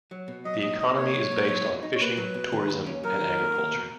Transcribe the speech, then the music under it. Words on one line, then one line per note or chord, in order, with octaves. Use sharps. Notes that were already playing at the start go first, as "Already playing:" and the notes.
The economy is based on fishing, tourism and agriculture.
F#3
B2
F#3 D#5
A#2 D#5
D#4 D#5
A#3 C#5
F#3
A#2
F#3
B2
D#4
C#5
A#3 B4
F#3
B2
D#3
D#2
C#4
F#3 A#4
D#3
D#2
A#3
B2